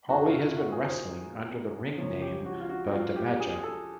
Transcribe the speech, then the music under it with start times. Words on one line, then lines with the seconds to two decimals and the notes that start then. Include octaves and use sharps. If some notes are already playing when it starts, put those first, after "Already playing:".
Hollie has been wrestling under the ring name The Damaja.
0.09 F#2 D#3 F#4
0.26 F4
0.32 E4
0.56 F#4
0.72 G#4
0.88 C5
1.98 C#2 C#3 F3 C#5
2.22 G4
2.45 F#4
2.60 F4
2.69 F#4
2.92 F4
3.16 G4
3.40 G#4
3.63 A4